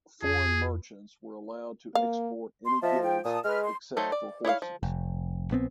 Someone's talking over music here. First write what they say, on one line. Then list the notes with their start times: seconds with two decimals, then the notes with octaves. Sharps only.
Foreign merchants were allowed to export any goods except for horses.
0.22 F2 G#4
1.95 A#3 F5
2.64 C6
2.82 F3 D#5 E5 A5
3.03 G5
3.25 A#2 A5 D#6
3.44 G#3 B4 F6
3.64 C6
3.97 F#3 A3 D#4 A4 C5
4.12 D5
4.45 E4 C#5 D#5 F5
4.62 F3
4.83 F1
5.51 A#1 B3 C4